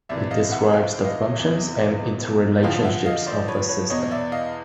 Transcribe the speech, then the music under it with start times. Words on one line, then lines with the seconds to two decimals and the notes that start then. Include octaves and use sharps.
It describes the functions and interrelationships of a system.
0.09 C2 C3 E3 D5 E5
0.31 D#5 F5
0.51 E5 F#5
0.73 F5 G5
1.05 D#5 F5
1.37 E2 C3 E3
2.63 F2 D3 F3 F5 G5
2.84 E5 F#5
3.06 D#5 F5
3.26 C5 D5
3.48 B4 C#5
3.69 B4 C#5
3.90 E2 B2 C#5 D#5
4.11 D5 E5
4.32 D#5 F5